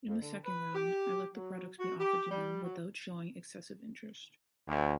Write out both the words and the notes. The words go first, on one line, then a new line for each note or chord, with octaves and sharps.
In the second round, I let the products be offered to him without showing excessive interest.
F2
D3
B4
G4
F#3
F#4
G4
G3
F#3
D2